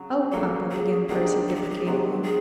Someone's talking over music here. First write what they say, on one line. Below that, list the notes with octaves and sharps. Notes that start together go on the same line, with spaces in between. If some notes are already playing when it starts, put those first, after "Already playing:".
"Oh, papa!" began Percy, deprecatingly.
Already playing: C#3 F#3
C#3 F#3 A#3 A4
G#4
C3 D#3 F#3 B3 D4 G#4
A4
G#4
G4
G#4
C3 D#3 F#3 B3 D4 G#4
G#4